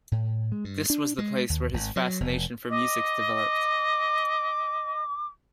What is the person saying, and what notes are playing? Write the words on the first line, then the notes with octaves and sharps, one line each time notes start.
This was the place where his fascination for music developed.
A2
G#3
G2
D4
G#3
D#2
G#1
F#3
F1
D#5 D6